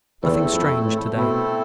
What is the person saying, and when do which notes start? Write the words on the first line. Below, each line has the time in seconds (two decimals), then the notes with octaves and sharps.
Nothing strange to day.
0.23 E2 A3 C4 E4 A4
0.53 F2
0.84 A2
1.16 B2 A3 C4 E4 A4